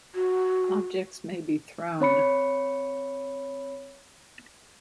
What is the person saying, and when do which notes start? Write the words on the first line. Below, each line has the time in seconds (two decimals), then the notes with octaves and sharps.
Objects may be thrown.
0.15 F#4
2.00 C4 C#5 B5 C#7